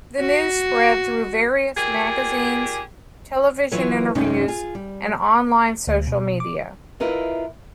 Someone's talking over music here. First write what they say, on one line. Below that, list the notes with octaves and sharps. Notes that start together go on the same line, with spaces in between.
The news spread through various magazines, television interviews and online social media.
F#4
A#2 G4 G#4
E3 F#3 F4 B4 C#5
F#2 C3 G#3 C#4 D#4
F4 G#4
G3
D2
B2
D6
E4 F4 A#4 B4 D#5